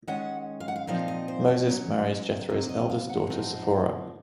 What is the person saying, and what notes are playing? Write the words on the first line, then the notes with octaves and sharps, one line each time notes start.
Moses marries Jethro's eldest daughter Sephora.
D#3 G#3 C#4 F#5
F5
F#5
F5
A#2 F3 C4 D#4 F5
D#5
C5
C#5
C#3 F#3 C#4
C3 F#3 A#3 D#5
D#5
F5
F#5
F#2 F3 C4 D#4